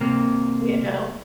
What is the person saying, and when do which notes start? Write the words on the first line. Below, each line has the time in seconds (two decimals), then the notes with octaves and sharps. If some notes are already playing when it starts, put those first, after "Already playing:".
You know?
0.01 C3 A#3